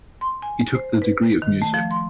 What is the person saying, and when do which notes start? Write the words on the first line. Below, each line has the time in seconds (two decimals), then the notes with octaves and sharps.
He took the degree of Mus.
0.21 C6
0.42 G#5
0.75 C5
1.02 B4
1.42 D#3
1.62 A3
1.74 F3
1.91 C6